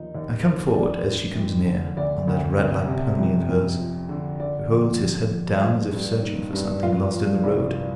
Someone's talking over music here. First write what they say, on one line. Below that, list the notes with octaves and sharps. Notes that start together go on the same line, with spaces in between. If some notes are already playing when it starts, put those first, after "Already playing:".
I come forward as she comes near, on that rat-like pony of hers, who holds his head down as if searching for something lost in the road.
Already playing: D#2 F3 D#4
D#2
D#2
F2 D5
F3
F2
D3
D2 D5
D2
C3
C3
F2
F2
F3
D3
D3 D5
F2
F3
F2
G2 F4 F5
G2
D#3
G2
A#2 F4 F5
F3
C2